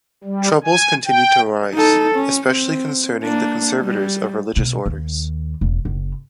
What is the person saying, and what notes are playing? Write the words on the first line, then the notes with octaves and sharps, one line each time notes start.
Troubles continued to arise, especially concerning the conservators of religious orders.
G3
G#5
G5
D#4 A4
C#4
C4
A#3 D4
G3
B2
D#2
E1
F#1